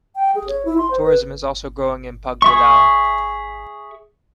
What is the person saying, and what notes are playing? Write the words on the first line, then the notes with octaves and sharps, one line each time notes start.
Tourism is also growing in Pagbilao.
G5
G#4
C#5
E4
C6
C5
B4
G#4 E5 C#6